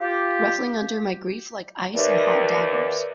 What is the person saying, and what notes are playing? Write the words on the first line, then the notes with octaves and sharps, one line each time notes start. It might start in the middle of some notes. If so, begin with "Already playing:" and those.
Ruffling under my grief like ice and hot daggers.
F4 G4
D#2 A#4 B4 D5 E5